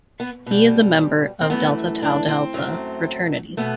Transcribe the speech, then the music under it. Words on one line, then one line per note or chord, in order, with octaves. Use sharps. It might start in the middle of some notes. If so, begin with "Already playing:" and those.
He is a member of Delta Tau Delta fraternity.
B3
B2 G3
C4
F#2 E3 A3 B3
D4
C4
F#2 F#3 A3
B2 A3 B3